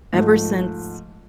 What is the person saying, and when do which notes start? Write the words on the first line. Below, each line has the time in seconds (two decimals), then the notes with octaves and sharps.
ever since
0.13 G#2 F3 A3